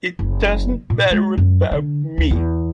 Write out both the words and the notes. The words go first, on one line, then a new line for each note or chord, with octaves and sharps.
It doesn't matter about me.
F#1
A#2
G#3
F#2
D3
D2
E2